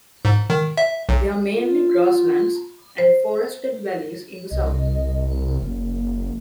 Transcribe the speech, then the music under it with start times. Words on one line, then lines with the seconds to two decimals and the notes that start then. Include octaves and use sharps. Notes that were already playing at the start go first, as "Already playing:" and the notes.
There are mainly grasslands and forested valleys in the south.
0.25 G#2
0.50 D#3
0.77 E5
1.09 B1
1.55 F4
2.98 C5
4.51 C2 D#5
5.62 F#1 A#3